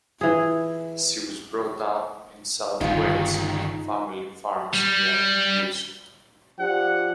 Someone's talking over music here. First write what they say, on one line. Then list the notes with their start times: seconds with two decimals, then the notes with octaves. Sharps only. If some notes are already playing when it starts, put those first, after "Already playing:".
She was brought up in South Wales and her family farms near Usk.
0.21 E3 G#4
2.81 G1 C#2 G2 D#3 G#3 D#4 F4
4.74 G3
6.59 F3 D4 G4 F#5